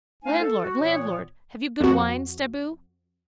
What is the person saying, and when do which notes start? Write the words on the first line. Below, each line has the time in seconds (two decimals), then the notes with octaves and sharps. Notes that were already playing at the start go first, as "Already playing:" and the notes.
Landlord, landlord, have you good wine, staboo?
0.24 A3 D4 D#4 C5 F5 G#5
0.41 A4
0.63 F#4
0.81 A#2 E3 B3 C#5
1.80 F2 F#4